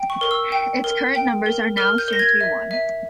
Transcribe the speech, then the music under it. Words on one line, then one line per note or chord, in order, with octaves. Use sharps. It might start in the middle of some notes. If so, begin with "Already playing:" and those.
Its current numbers are now assumed to be one.
Already playing: G5
C#6
A#4 C#6
E6
G5
A#4
G5
A#4
A#4 F6
G6
A#4 A#6
G#6
E5
E5